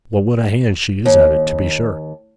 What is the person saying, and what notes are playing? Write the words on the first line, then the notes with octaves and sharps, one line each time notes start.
Well, what a hand she is at it, to be sure!'
D#2